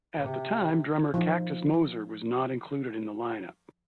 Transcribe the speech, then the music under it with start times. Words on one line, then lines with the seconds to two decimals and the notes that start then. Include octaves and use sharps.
At the time, drummer Cactus Moser was not included in the lineup.
0.18 C3
1.14 F3 D#4